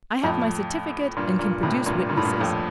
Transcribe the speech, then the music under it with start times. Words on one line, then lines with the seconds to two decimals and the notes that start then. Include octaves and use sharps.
I have my certificate and can produce witnesses.
0.24 F2 A2
1.16 G2 A#2
1.39 G2 A#2
1.63 A2 C3
1.86 G2 A#2
2.09 G2 A#2
2.17 A2
2.25 G2 A#2
2.40 F2 A2